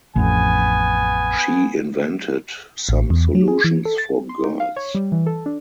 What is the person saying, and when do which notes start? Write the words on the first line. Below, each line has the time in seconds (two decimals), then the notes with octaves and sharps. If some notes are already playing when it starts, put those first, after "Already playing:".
She invented some solutions for girls.
0.16 A1 F2 B3 G#5
2.89 A1
3.10 E2
3.35 F#3
3.48 G#4
3.64 E3
3.85 A4
3.98 A6
4.29 C6
4.44 D#4
4.60 F5
4.76 C#5
4.95 G3
5.12 E3
5.26 A4
5.46 D4